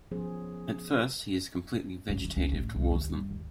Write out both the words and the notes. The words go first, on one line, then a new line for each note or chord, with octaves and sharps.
At first, he is completely vegetative towards them.
F3 F#3 B3 C#4 G#4 C5
F#2
D#3
C#2
A1
C2
D#2
G2
D#2